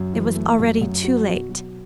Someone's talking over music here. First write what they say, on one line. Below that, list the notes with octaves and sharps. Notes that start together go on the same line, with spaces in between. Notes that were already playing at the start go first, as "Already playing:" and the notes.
It was already too late.
Already playing: F#2
E3
A3
F#2
F#2
F#4
B2
F#3